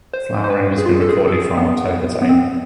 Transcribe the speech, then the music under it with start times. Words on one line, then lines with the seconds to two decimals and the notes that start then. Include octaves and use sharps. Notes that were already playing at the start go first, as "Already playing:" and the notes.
Flowering has been recorded from October to April.
0.14 C5
0.44 C5
0.50 B4
0.78 G#4
0.86 F4
1.01 A4
1.09 G#4
1.28 A4
1.34 G#4
1.57 B3
2.22 B3
2.29 C4